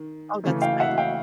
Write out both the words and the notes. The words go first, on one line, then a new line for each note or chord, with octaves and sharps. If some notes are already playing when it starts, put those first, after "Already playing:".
Oh, that's nice.
Already playing: D#3
C#3 E3 A3
F5 G5
E5 F#5
F5 G5